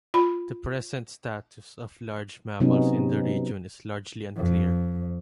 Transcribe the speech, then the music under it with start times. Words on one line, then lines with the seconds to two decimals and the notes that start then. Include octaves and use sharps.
The present status of large mammals in the region is largely unclear.
0.14 F4 B5
2.60 C3 F#3 B3 C#4 D#4
4.36 F2